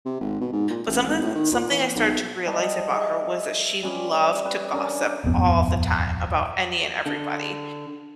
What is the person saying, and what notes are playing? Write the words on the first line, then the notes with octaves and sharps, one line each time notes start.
but something something I started to realize about her was that she loved to gossip all the time about any and everybody.
C3
G#1
B2
G#2
A#2
A1
G#1
A2
D#3
A#2
E3
B1
G3 D#5 A5
G#4 D#5 E5
G3 C#4 B4 D5
B4
C#4 D4 A#4
D#1 G#1 F2 B3
D3